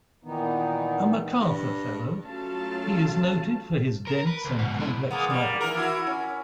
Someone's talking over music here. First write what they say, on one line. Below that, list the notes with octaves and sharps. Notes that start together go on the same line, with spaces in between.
A MacArthur Fellow, he is noted for his dense and complex novels.
A#2 D#3 E3 B3 D#4
G2
F#3 A3 C#4 F4 F5 A5
A#4
B4
D2
G#2 B2
G#3 E4
G#3 A#3 B3
G3 A#3
E3 A#4
E4 F#4
C#4